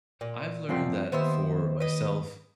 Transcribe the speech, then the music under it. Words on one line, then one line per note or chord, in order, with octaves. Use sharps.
I've learned that for myself
A#2
F#2 F3 C4
D#2 B3 C5 E5
B4 D#5